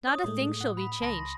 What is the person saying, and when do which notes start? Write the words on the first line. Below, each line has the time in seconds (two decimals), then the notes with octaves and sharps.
Not a thing shall be changed.
0.07 C#5 D#6
0.24 A2 G#3 A3
0.60 A2 F#5
0.77 B5 B6
1.02 C#2 A5 C6 A#6